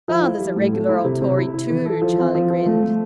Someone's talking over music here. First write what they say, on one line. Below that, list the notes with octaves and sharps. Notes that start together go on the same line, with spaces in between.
"Father's a regular old Tory too," Charlie grinned.
F3
E4
G3
A2
A3
E4
C3
C3
E4
E4
E3
A4
F3
C4
F3
F3
A3
A3